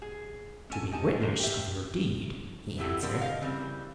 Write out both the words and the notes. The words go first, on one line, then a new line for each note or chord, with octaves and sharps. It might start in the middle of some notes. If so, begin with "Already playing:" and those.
"To be witness of your deed," he answered.
G#4
C#4 A4 G#5 A5
D#4 G4 G#5 A5
D4 A#4 C5
G4 E5
E3 F#3 E4 G4 A4
D3 F3 A#3 B3 G4 A#4
A#4 D#5 F5
C#3 E3 G3 C4